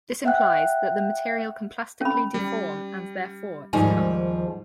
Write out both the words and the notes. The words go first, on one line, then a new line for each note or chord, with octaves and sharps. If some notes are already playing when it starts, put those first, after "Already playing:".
This implies that the material can plastically deform, and, therefore, is tough.
E5 F#5 G5 F#6
C#4 B5
G3
D#2 G#2 F3 G3 D#4 G#5